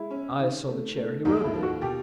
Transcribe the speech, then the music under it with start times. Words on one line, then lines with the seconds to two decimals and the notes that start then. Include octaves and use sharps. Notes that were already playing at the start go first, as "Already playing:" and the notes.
I saw the chair he wrote it in.
Already playing: G#3 E4
0.11 C#4
0.39 D#3
0.68 A3
0.97 A3
1.25 D#2 D#4
1.44 E4
1.53 F3
1.63 F#4
1.81 B2 G4